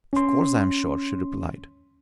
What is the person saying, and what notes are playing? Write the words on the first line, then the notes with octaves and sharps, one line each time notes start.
"Of course I'm sure!" she replied.
C#4 C6